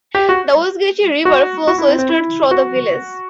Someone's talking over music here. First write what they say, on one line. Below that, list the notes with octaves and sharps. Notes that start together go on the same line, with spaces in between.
The Oswegatchie River flows westward through the village.
G4
F#4
F#4
F#4
E4
C4
C4
E4
F#4